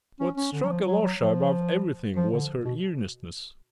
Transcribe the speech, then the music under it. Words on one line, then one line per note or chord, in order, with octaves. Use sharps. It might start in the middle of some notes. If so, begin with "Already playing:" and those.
What struck Alyosha above everything was her earnestness.
C#4
C#4
D3
F#3
F3
F#3
F#3
F3
F3
D3
B2